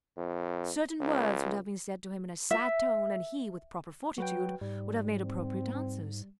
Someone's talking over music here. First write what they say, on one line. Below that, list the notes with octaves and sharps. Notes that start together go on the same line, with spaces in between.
Certain words would have been said to him in a sad tone, and he, with proper fortitude, would have made appropriate answers.
F2
C#2
E5
F#3 F#4 B4 G5
G#2 G3
C4